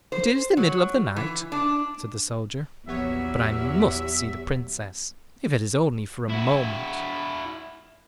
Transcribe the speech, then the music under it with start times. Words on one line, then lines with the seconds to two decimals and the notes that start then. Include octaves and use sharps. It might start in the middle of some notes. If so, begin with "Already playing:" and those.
"It is the middle of the night," said the soldier, "but I must see the Princess, if it is only for a moment."
0.12 C5
0.57 F#3
1.16 E3
1.52 D4
2.87 A#1 E2 F#3 B3 G4 C#5 E5
6.29 E4 F#4